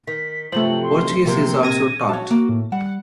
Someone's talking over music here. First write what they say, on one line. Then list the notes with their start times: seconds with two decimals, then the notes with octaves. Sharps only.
Portuguese is also taught.
0.07 D#3 B6
0.52 G2 C3 F3 F#3 A3 F#7
0.83 C6
1.26 C3 A#3 C6
1.63 G#6 A#6 D#7
2.09 F#4 C#5 A5
2.31 A#3
2.49 A2
2.72 G3 F#5